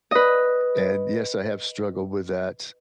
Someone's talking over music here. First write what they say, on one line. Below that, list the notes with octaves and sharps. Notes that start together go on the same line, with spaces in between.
And, yes, I have struggled with that,
B4 D#5